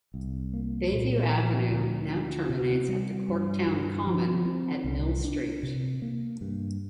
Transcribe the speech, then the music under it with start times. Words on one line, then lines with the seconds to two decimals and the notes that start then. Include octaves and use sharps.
Bayview Avenue now terminates at the Corktown Common at Mill Street.
0.14 C2
0.54 A#3
0.92 A#2
1.32 F3
1.71 D2
2.11 D4
2.50 C3
2.88 G3
3.29 G2
3.67 G2
4.07 F3
4.45 C4
4.84 C2
5.24 D4
5.63 C3
6.02 A#3
6.41 G2